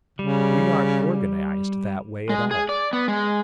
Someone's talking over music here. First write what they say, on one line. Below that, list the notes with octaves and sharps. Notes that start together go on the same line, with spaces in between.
We aren't organized that way at all.
C#3 G3
G#3
G#4
D5
B3
G#3